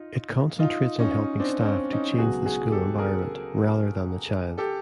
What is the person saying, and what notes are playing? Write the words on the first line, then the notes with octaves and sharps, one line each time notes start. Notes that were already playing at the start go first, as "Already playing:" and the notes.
It concentrates on helping staff to change the school environment, rather than the child.
Already playing: D#4 F4
D#4 F4
C#4 D#4
C4 D4
C4
C#4
C#4 D#4
C#2 B2 F#3 B3 F#4 G#4
F#4 G#4
G4 A4
G#4 A#4
G4 A4